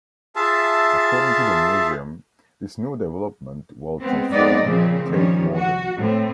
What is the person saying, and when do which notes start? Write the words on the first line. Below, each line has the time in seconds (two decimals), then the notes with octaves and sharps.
According to the museum: This new development will transform Tate Modern.
0.36 F4 G#4 E5 A5
4.00 G#3 B3 C4
4.31 G#3 B3 C4 D#4 D5 D#5
4.63 A#2 C#3 F3 C4
5.09 D#3 F3 G3 C#4
5.55 F#4
5.98 A2 C4